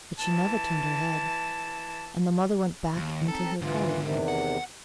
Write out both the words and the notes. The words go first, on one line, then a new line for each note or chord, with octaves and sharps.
But she never turned her head; and the mother went back into her cottage.
E3 A5
D#2
C4 D#4 A4
G#2 D3 E3 F4
E2 C3 D#3
F#5